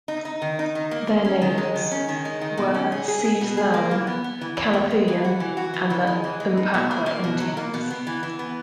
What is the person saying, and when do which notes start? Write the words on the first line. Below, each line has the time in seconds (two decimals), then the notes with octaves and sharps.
Their neighbors were Siuslauan, Kalapuyan, and the Umpqua Indians.
0.08 D#4
0.25 D#4
0.42 D#3
0.59 D#4
0.75 D#3
0.91 A#3
1.08 A#3
1.25 C#4
1.42 D#3
1.58 G#3
1.76 D#3
1.91 C#4
2.08 D#3
2.25 G#3
2.41 D#3
2.58 B2
2.74 C#4
2.92 G#4
3.08 G#4
3.25 G#4
3.41 B2
3.57 G#4
3.74 A#3
3.91 E3
4.07 B3
4.24 B3
4.41 E3
4.57 E3
4.73 B3
4.90 G#3
5.08 E3
5.25 F#4
5.40 E3
5.57 F#4
5.74 E3
5.90 E3
6.07 G#3
6.24 E3
6.40 G#3
6.57 D#4
6.74 B2
6.91 A#3
7.06 A#3
7.24 B2
7.40 F#3
7.57 A#3
7.74 B2
7.90 B3
8.07 E3
8.23 E3
8.39 B3